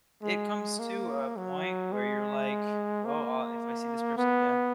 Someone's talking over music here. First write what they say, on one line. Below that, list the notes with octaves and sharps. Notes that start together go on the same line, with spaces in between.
it comes to a point where you're like, "Well, uh, if I see this person again,
G#3
A#3
F#3
G#3
A#3
B3